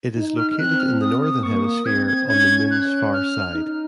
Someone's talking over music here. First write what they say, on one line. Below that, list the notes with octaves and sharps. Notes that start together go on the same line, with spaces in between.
It is located in the northern hemisphere on the Moon's far side.
D#4
F6
F6
C4 F#6
F6
C4 D#6
D#6
A#3 C#6
D#6
C4 G#6
G#6
C#4 G#6
F#6
F6
D#4